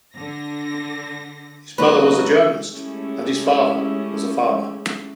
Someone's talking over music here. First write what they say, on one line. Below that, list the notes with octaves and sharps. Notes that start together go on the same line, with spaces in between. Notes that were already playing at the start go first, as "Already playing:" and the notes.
His mother was a journalist and his father was a farmer.
D3 A#6
D#2 F#3 B4 D#5
G#3 A3 C#4 E4 G4 G#4